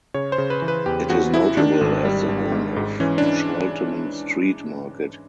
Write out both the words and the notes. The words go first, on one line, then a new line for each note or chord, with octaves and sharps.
It is notable as the home of Chalton Street Market.
C#3 C#5
C5
C#3
B4
E3
B4
E2 G4
E2 F#4
E3 E4
D#3 D4
G#1
G3
G#1
G#2
G#2
E3 C#4
D4
E3